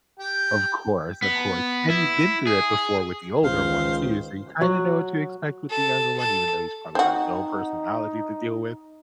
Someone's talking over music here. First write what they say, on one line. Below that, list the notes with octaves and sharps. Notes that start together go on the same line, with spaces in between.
Of course, of course, and you've been through it before with the older one too, so you kinda know what to expect with the younger one, even though he's probably got his own personality to deal with.
G4 G5
B3
E4
G#4
C#2 D#3 C5 F5
F#3 F#4
A4
A4
C4 D#4 F#4